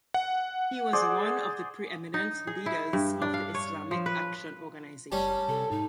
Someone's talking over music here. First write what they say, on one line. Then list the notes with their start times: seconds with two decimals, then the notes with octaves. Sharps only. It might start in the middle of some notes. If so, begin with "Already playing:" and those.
He was one of the preeminent leaders of the Islamic Action Organisation.
0.14 F#5
0.93 G#4 C5 D5
2.14 D#4
2.47 G#4
2.66 E4
2.93 G2
3.22 D4
3.34 F5
3.54 C#5
3.91 F3
4.06 B4
5.12 F#1 G3 C#4 A5
5.49 C3 A4
5.71 G#2 D#4